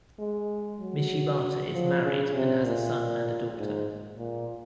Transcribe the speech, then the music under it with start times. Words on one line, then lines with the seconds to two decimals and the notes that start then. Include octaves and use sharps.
Michibata is married and has a son and a daughter.
0.19 G#3
0.80 F#3
1.73 F3
2.03 C#3
2.34 C3
2.64 A#2
3.57 G#2
4.18 A#2